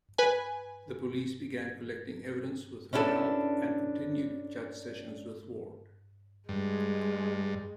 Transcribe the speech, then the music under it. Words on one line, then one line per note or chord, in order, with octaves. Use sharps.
The police began collecting evidence with her help and continued chat sessions with Ward.
B4 G#5
C#4 D4 E4 G4 A4 B4
G2 G#3